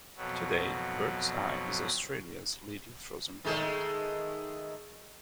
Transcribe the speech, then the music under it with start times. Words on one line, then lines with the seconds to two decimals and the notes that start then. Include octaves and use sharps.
Today, Birds Eye is Australia's leading frozen brand.
0.16 F2 B2 F#3
3.45 D#3 G#3 A3